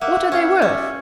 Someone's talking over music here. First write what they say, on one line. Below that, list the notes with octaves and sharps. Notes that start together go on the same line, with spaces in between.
"What are they worth?"
A#3 E5 F#5
C#4
E5
F5
C#4 D5 E5